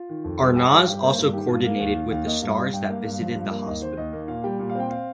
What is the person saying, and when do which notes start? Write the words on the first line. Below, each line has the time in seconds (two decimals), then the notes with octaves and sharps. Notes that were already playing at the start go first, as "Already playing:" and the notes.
Arnaz also coordinated with the stars that visited the hospital.
Already playing: F4
0.09 D#3
0.24 F2
0.40 G3
0.55 G2 G4
0.71 G3 F4
0.87 G2 G4
1.02 A#3 C5
1.18 G2 A#4
1.33 D#3 G4
1.48 G2 F4
1.64 A#3 F5
1.80 D#2 F5
1.95 D#3
2.11 D#2 F5
2.26 A#3 D#5
2.42 G2 F5
2.57 G3
2.73 G2 G5
2.88 A#3 F5
3.04 G2
3.20 F3
3.35 G2
3.50 A#3
3.66 D#2 D#5
3.82 D#3 C5
3.97 D#2 D#5
4.13 A#3
4.28 A#2 F5
4.44 G3 G5
4.59 A#2
4.69 F5
4.75 C4 G5
4.90 F5